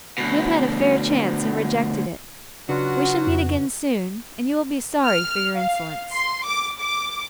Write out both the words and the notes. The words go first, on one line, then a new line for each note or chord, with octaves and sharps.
'You have had a fair chance and rejected it. We shall meet again soon, and you will be sorry for your insolence.'
D2 B2
C#3 F#3 D4 F4 F#4 B4 F#5
F2
F6
F5
C6
D6
D6